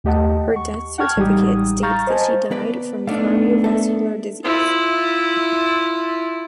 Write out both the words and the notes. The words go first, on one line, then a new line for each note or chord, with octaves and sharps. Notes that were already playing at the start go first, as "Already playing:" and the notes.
Her death certificate states that she died from cardiovascular disease.
D#2 A3 G4 D#5 F#5 A5
C#6
F#5 G5 A5 C#6 F6 G#6
A1 G3 G#3 D#4 G4 D#6
F5 A#5 C#6 F6 G6 A6
C5 D#5 G#5 A5
B3 B4 D5
A3 B3 D4 D#4 D5 F5
A4 E5
E4 F4